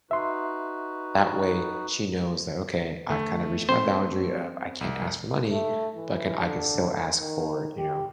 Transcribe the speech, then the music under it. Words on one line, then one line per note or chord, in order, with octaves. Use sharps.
That way she knows that, "Okay, I've kinda reached my boundary of 'I can't ask for money,' but can I can still ask for, you know,
D#4 F#4 B4 E5 C6
D3 A3
C4 C5
C2
A3
E3
D3
D#3
G4